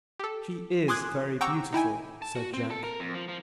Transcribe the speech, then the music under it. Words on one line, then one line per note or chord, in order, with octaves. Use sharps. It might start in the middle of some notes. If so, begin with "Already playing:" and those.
"She is very beautiful," said Jack.
G4 A4
G#5 C6 D6 D#6 F#6 G#6
F#5 G5 A#5 C#6 D6 E6
D#4 E4 G5 G#5
A5
F#4
C4
A4
A#4
F2
F3
F3